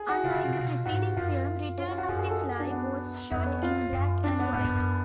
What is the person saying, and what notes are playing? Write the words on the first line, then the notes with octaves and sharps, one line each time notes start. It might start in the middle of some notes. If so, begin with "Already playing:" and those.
Unlike the preceding film, "Return of the Fly" was shot in black and white.
Already playing: G#4
F#4
C#3 F4
C#3
B2
C#3
B2
G#2 F#4
F#2 F4
C#4
F4
F#4
F#2 G#4
G#4
A4
G#4
F#4
D4
B3
F2 B3
C#4
F4
F#2
D4
B3
G#2 B3
F#2
F#2